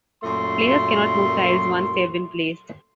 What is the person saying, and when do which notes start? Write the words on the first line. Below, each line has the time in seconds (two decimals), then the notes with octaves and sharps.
Players cannot move tiles once they have been placed.
0.23 F#2 A#2 A3 C6